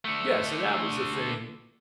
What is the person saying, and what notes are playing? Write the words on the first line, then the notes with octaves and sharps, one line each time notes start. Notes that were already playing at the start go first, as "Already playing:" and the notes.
yeah, so that was the thing
D3 A3